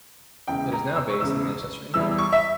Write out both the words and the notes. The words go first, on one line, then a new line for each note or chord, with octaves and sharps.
It is now based in Manchester, England.
E1 E2 C#3 G5
A#5
E6
C#6
E1 E2 C#3 E6
E2 E3 G3 E6
C#6
E5